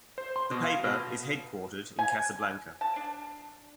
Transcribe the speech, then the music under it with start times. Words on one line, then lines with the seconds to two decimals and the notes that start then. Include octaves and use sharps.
The paper is headquartered in Casablanca.
0.18 C5
0.36 C6
0.51 B2
0.64 F5
0.84 B2
1.99 G#5
2.81 A5
2.96 D4